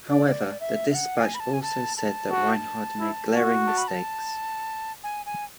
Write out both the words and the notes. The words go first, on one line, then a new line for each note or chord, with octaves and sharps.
However, the Dispatch also said that Rinehart made glaring mistakes.
D5
D5
E5
E5
F#5
G#5
B5
A5
G#5
A5
A5
F#4
E4
F#4
A5
B5
A5
G#5
G#5